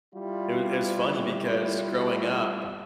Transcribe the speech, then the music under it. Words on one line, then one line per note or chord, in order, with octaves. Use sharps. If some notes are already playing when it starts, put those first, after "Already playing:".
it was it was funny because growing up,
G3 E4 F4